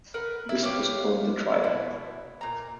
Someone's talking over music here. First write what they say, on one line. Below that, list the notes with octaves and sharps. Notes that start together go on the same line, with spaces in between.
This postponed the trial.
A#4 B4 F#5
E4
G4 B4 C#5 F5
B2 E4
A#2 A#5